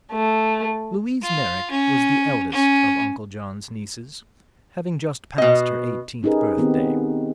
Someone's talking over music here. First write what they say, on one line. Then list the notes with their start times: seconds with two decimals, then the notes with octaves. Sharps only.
Louise Merrick was the eldest of Uncle John's nieces, having just passed her eighteenth birthday.
0.12 A3
1.23 F4
1.71 C#4
2.52 C#4
5.38 B2 D#5
6.23 C#4 D#4 G4 G#4 A#4 B4
6.57 D#3 B3 C4 G4